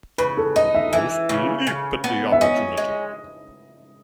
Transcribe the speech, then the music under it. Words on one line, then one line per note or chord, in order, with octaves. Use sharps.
Most leap at the opportunity.
C#3 B4
A4
D#4 D#5
E5
E3
C#3
C#3
B3
E5
C#4 D#5
G#3